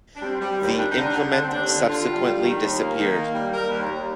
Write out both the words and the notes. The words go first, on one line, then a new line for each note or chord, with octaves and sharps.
The implement subsequently disappeared.
D4
G3 C4
G3
D#2
G3 D4
D#4
D3
D4
D3
D3 D4
C4
D#2 D4
D3
D3 F4
G3
G3
D#3
D#2
A#3
D#3
A#3
G3
G3 A#4
D#2
D#2